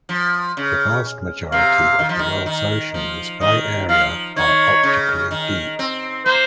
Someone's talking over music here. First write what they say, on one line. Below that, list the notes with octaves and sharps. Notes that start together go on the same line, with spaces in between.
The vast majority of the world’s oceans by area are optically deep.
F3
C#3
C3 F5
D#3
F3
D#3
D#3
F3
D#3 D#5
F3 F5
D#3 C#5
C#3
D#3
C4
A#3 C5